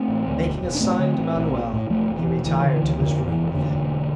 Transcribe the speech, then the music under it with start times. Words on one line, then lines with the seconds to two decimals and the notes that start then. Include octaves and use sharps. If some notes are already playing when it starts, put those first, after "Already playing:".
And making a sign to Manoel, he retired to his room with him.
Already playing: A3 C4
0.08 A1
0.27 D2
0.45 E1
0.62 E1
0.75 D4
0.80 A1 A3 C4
0.99 D3
1.18 A1
1.35 A#1
1.53 A#1
1.73 A2
1.90 E1 F3 A3
2.09 E1
2.17 E3
2.27 E1
2.45 D2 E3
2.64 D3
2.73 E3
2.82 D2
2.99 F2 D3 F3
3.19 F1
3.28 E3
3.36 F1
3.54 E2 D3
3.72 E1